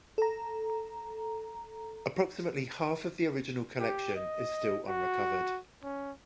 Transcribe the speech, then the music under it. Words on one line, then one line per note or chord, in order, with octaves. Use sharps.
Approximately half of the original collection is still unrecovered.
A4 A#5
G4
D#5
F#4
C#4